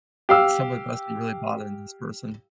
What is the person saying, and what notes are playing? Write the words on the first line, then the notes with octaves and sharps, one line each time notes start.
Someone must be really bothering this person.
G4 F5 E6